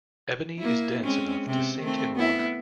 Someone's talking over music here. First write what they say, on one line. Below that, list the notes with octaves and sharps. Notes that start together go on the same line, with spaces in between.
Ebony is dense enough to sink in water.
A#3 E4
G#3 C4 C#4
C3 B3 C4
D#3 A3 C4
B3 E4